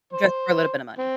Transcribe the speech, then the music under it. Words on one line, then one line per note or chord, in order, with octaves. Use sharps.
just for a little bit of money.
C5
C4